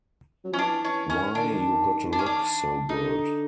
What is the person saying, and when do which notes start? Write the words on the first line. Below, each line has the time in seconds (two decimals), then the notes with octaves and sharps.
Why You Gotta Look So Good?
0.44 F#3
0.52 F3 C#4
0.58 E3 D4
0.84 E3 C#4
1.10 D#3 C#4
1.35 D#3 D4
1.44 D3
1.53 D#3
2.13 D4
2.19 C#4
2.26 D4
2.89 D3 D#4